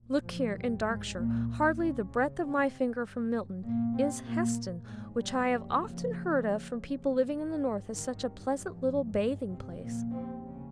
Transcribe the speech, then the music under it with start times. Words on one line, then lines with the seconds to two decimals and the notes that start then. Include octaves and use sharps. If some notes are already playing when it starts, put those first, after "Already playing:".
Look here--in Darkshire, hardly the breadth of my finger from Milton, is Heston, which I have often heard of from people living in the north as such a pleasant little bathing-place.
Already playing: C2 A#2
0.23 F2 F3
0.54 G2 G3
0.85 G#2 G#3
1.16 A#2 A#3
1.77 C#3 C#4
2.08 C#3 C#4
2.39 G1 G2 C3 C4
3.62 A#2 A#3
3.93 C3 C4
4.24 A#2 A#3
4.85 F1 D#2 G#2 C#3 G#3
5.16 G2 G3
5.48 G2 G3
5.78 F2 F3
7.32 G#1 G2 D#3
7.95 D#3
8.56 F2 F3
9.17 G#2 G#3
9.48 C3 C4
9.79 F1 D#2 A#2 C#3 A#3
10.10 C3 C4
10.41 C#3